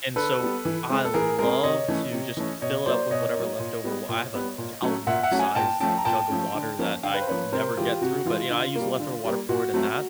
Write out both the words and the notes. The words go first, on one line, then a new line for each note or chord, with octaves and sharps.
and so I love to just fill it up with whatever leftover wa I have a gallon-sized jug of water that I never get through, but, you know, I use the leftover water poured in that,
D3 A4 B4
G3 B3
E3
G#3 C4
A4
E3 G#4 A#4
G#3 C4 G#4 A#4
C3 C#5 D#5
E3 A3 C#4
C3
E3 A3 C#4
B2 C#5 D#5
F#3 A#3 C5 D5
B2 C#5 D#5
F#3 A#3
A#2
G3 B3
A#2
G3 B3
A#2
F#3 A3 C#4
A#2 E5 F#5
E5 F#5
F#3 A3 C#4
F#5 G#5
A#2 G5 A5
F3 A3 C#4 G5 A5
A#5
A#2 G5 A5
F3 A3 C#4
D3
F3 A#3 C#4
D3 F5 G5
B4
C5
F3 A#3 C#4 B4 C#5
C3 A#4 C5
E3 G#3 F4 G4
C3 F#4
E3 G#3 F4
D3
G3 A#3
D3
G3 A#3
A#2 F#4
F#3 A3 C4